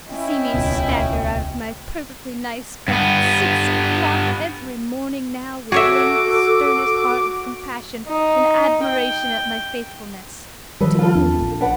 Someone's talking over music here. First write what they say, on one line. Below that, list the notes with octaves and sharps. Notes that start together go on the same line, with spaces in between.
To see me stagger out of my perfectly nice bed at six o'clock every morning now would wring the sternest heart with compassion and admiration at my faithfulness--to whom?
C#4 E4 D#5 G5
D#1 C#2 B2
G2 B3
F#4 G#4 A4 C#5 E5 D6
D#4
G5
D#3 F3 G3 A4 B4 D#5
F4 A4
E2 C4 D4
A#1
D4 B4 F#5